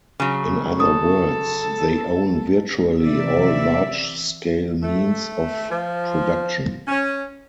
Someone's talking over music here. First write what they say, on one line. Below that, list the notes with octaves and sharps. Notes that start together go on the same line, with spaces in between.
In other words, they own virtually all large-scale means of production.
C#3 F#3
A4 D#6
C3 E3 D5 E5
A3
F3
C#4